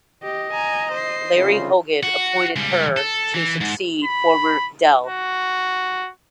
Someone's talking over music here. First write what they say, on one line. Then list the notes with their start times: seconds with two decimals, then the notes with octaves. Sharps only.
Larry Hogan appointed her to succeed former Del.
0.23 G4 D#5
0.53 G#5 A#5
0.93 C5 C7
1.34 C2 C#3 F4
2.03 F#4
2.56 C#2 G3
2.97 A4
3.35 E3
3.61 G#2
4.05 B5
5.06 F#4